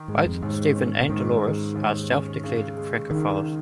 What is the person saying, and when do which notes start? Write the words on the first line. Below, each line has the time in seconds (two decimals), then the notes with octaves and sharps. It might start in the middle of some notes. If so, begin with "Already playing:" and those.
Both Stephen and Delores are self declared Francophiles.
Already playing: D#3
0.08 G#2 G#3
0.25 F2
0.42 D#2 G#2
0.76 C#4
1.00 A#2
1.09 G#2 D#3
1.42 G#3
1.76 D#2
2.10 C#4
2.44 C#3
2.77 G#3
3.10 C#2 D#3